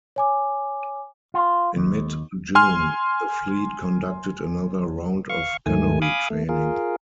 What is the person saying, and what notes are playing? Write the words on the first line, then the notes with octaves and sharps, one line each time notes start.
In mid-June, the fleet conducted another round of gunnery training.
C#5 G#5 D6
F4
D#2
G#5 C6 F6
F5 C#6
D#2 G#2 D#3 A3 G#5
F5 G#5 B5 D6 D#6
A3
F4 G#4 A#4